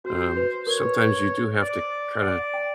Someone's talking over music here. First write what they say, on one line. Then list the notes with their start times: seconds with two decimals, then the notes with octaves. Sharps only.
um, sometimes you do have to kinda
0.05 F#4 C5
0.16 F#4
0.37 B4
0.67 A#4 C#5
0.83 B4
0.98 B4
1.61 C5 D5
2.23 D5 F#5
2.54 G5